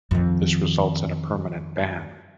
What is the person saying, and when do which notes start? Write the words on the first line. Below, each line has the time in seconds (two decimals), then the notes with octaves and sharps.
This results in a permanent ban.
0.11 F2 D#3